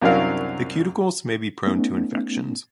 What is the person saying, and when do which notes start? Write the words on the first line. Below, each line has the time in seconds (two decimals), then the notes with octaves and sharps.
The cuticles may be prone to infections.
0.01 C2 F#2 F#3 D4 A#4 F5
1.66 A3 B3 C#4 D#4